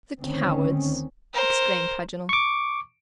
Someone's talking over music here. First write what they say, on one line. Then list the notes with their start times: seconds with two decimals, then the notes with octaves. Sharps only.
"The cowards!" exclaimed Paganel.
0.20 D2 D3 D#3 C4 C#4
1.34 A#4 C5
2.29 C#6 D6